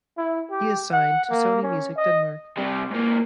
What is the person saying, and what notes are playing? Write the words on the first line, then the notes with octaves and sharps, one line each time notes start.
He is signed to Sony Music Denmark.
E4
G4
F#5
A#3
C#4
D#5
C3 G3
G#2 A#3